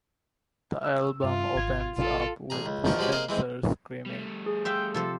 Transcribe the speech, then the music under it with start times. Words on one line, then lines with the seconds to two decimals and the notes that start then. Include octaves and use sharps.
The album opens up with Spencer screaming.
0.84 E6
1.24 G2 F4 E5
1.55 G#1 G#6
1.97 A1 F4 A4
2.50 A1 G#4 A#5
2.66 C#2
2.85 E2 D#3 F3 A#4 C#6
2.99 F3 G#3 F#4 G4 B4 C#5
3.12 A#3 G#4 C5 D#5 F5
3.29 E3 G#3 C4
4.06 G3 A3
4.46 G#4
4.65 C5 E5 F5 G5
4.94 C3 F3 A4 C5